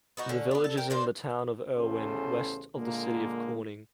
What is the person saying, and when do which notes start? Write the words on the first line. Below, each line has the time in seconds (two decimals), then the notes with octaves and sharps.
The village is in the town of Erwin, west of the city of Corning.
0.17 B3 D#4 F#4
0.29 D3 C#4
0.51 B3 D4
0.64 A4
0.77 A#4 G5
0.90 A#3 D4 C5
1.77 A1 E2 C#3 C#4 A4 C5
2.76 A#2 D3 G#3 A#3